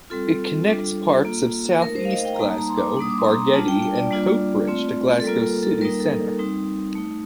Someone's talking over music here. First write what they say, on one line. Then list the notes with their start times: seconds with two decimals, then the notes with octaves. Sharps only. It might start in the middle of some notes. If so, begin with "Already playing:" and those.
It connects parts of south east Glasgow, Bargeddie and Coatbridge to Glasgow city centre.
0.10 G3 C4 F4 A4
0.68 G3 D4 F4
1.25 A#3 F4
1.82 A3 D#4 A#4
1.96 C5
2.05 F5
2.11 D#5
2.25 G5
2.34 A#5
2.39 G3 A#3 D#4 A5
2.58 A#5
2.69 C6
2.77 D6
2.97 G3 A#3 D4 D#6
3.10 D6
3.18 C6
3.24 A#5
3.39 A#5
3.53 G3 D4 F4 A5
3.68 G5
3.82 G5
3.96 D5
4.11 G3 A#3 D4 F4
4.68 A3 C4 F4
5.20 A4
5.24 G3 A#3 F4 A#4
5.43 A4
5.63 A4
5.81 G3 A#3 D#4 A#4
6.00 A4
6.39 G3 C4 D#4
6.95 A3 D#4